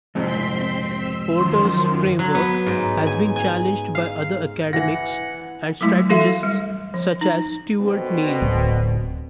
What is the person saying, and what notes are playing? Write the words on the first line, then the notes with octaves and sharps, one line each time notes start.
Porter's framework has been challenged by other academics and strategists such as Stewart Neill.
F2 G#2 C3 C4 C6 B6
E6
F#2 D#3 F3 C6
F#3
B3
G#2
G#5
G#5
F5
E3 F#5 A#6
F#3 G#3 A3 E4
E3 F#4 A4 E5 F5
G3
F3
D#4
D2 B2 C4
D1